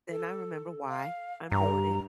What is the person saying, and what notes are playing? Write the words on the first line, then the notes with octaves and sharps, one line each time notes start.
then I remember why I'm doing it.
A4
F5
G2 A#5